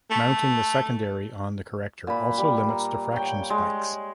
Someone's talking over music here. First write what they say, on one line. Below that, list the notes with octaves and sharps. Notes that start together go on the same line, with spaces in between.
Mounting the secondary on the corrector also limits diffraction spikes.
A3
A#2 B5
G3
A#5
C#5 G5
G#3